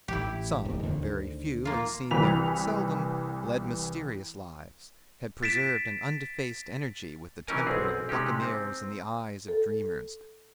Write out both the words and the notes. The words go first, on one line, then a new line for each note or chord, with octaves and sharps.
Some, very few and seen there but seldom, led mysterious lives, had preserved an undefaced energy with the temper of buccaneers and the eyes of dreamers.
A1 E4 G4
D1 D#2
D2 D3 D#3
A#3 F4
C2 E3 B5 B6 F7
A6 B6 D7 E7
E3 F#3 C#4 D#4 A#4 G#5
B1 C4 G#4
C3 G#3 C#4 D#4 G4
C4
A4